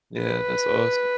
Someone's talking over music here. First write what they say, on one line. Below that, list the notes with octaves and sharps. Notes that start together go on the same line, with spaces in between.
Yeah, that's awesome.
B4